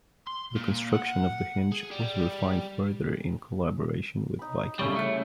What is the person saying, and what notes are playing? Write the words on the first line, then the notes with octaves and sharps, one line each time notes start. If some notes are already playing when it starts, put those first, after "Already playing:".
The construction of the hinge was refined further in collaboration with Viking.
C6
A#2
F#5
G#4
G3
D#4 B5
C#3 G3 C#4 E4 A4
A3